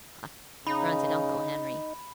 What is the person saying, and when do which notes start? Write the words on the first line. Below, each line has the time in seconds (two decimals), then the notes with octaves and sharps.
"Huh!" grunted Uncle Henry.
0.67 C#3 D#4 B5